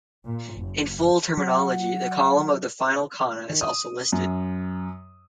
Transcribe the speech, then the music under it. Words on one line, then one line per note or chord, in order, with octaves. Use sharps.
In full terminology, the column of the final kana is also listed.
A#2
F#1
F#3 F#5
D#3
D#6
F#2